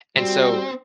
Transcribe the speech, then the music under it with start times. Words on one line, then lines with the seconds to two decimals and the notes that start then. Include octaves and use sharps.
And so,
0.17 G3 C4 F#4